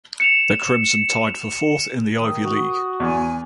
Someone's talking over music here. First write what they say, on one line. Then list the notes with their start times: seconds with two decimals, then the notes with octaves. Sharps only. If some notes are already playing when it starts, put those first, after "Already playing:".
The Crimson tied for fourth in the Ivy League.
0.20 C#7 E7 F7
2.18 D#3 D#6
2.44 F#4
3.00 E2 G#5